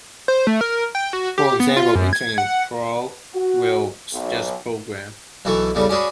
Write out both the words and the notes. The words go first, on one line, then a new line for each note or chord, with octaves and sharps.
For example, entering "prog" will suggest "program".
C5
A3
A#4
G5
F#4
G4
B3
F4
F#2
G#6
F#5
F#4
B1
B1 E3 E4 A4 C#6
E2 C#3 G3 A4
C#4 D4 F#4 G#4 B4